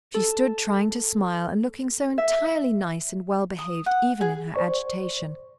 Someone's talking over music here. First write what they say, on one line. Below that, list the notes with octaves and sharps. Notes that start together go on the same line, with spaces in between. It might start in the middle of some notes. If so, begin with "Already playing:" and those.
She stood trying to smile, and looking so entirely nice and well-behaved even in her agitation.
A4
E5
D#6
F#5
G#4
C5 D5 C#6